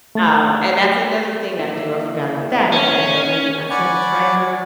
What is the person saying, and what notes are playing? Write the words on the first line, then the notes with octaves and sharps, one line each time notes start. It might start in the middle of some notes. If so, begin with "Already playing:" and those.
um, and that's another thing I do, I forgot about that, is that every I set a timer
A3
A#3 E4
C#4
D5 F#5 G#5 B5 C#6 D6